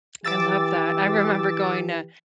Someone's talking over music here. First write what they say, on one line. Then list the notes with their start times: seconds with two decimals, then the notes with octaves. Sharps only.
I love that. I remember going to,
0.25 E3 G4 D6 E6 A6